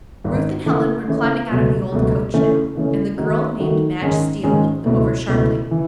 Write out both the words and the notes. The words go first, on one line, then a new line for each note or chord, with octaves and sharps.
Ruth and Helen were climbing out of the old coach now, and the girl named Madge Steele looked them over sharply.
G#1 G#2 D#3
C#3 E3 A3 E4
C#3 E3 A3 E4
C#2 B2 F#3 A3
C#2 B2 F#3 A3
C#3 E3 A3 C#4
C#3 E3 A3 C#4
D#3 A3 D#4 F#4
D#3 A3 D#4 F#4
G#2 D#3 G#3 C#4 G#4
G#2 D#3 G#3 C#4 G#4
C#2 B2 A3 E4
C#2 B2 A3 E4
E3